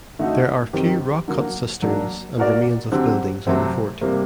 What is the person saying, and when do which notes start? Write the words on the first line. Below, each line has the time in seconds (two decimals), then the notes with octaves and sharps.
There are few rock cut cisterns and remains of buildings on the fort.
0.19 D3 A3 D#4 F#4
0.73 D#3 F#3 C4 G4
1.28 D3 F#3 A#3 F#4
1.82 F#3 A#3 D4 F#4
2.38 A#3 F#4 A#4 D5
2.92 D3 F#3 C4 G4
3.47 C3 F#3 A3 C4
4.01 C3 G3 A#3